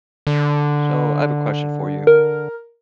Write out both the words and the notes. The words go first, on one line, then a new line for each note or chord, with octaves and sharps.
So, I have a question for you.
D3
A#4